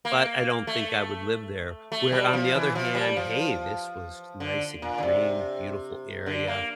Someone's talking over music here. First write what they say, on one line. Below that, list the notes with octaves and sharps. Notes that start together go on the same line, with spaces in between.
but I don't think I would live there." Where on the other hand, "Hey, this was nice and green, beautiful area.
A#3
A3
A3
G3
F3
E3
F3
G3
F3
D3
A#2
D3
C3
D3
A#3